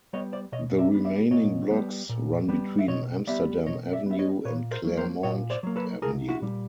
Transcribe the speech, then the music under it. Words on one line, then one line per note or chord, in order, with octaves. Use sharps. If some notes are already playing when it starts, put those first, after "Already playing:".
The remaining blocks run between Amsterdam Avenue and Claremont Avenue.
G3 B3 C#5 D#5
C5 D5
B2 C#5 D#5
D5 E5
G3 B3
D5 E5
A#2 C#5 D#5
G3 B3
A#2
G3 B3
E5
B2 C#5 D#5
G3 B3 D5 E5
B2 C#5 D#5
D5 E5
G3 B3 E5
C#5 D#5
A#2 B4 C#5
A#4 C5
F#3 A#3
A#4 C5
A#2 C#5 D#5
C5 D5
F#3 A#3
A4 B4
C2 G#4 A#4
E4 F#4
A#2 G3